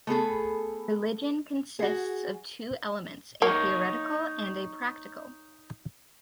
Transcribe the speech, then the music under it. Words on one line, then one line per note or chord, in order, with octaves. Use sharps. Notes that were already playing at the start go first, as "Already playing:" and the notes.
Religion consists of two elements, a theoretical and a practical.
A3 B3 G#4 A4
F#4 G#4
A#3 D#4 C#5